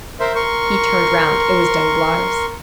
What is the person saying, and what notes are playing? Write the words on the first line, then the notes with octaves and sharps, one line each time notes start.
He turned round; it was Danglars.
A#4 C5 E5 C6
A#4 C6 C#6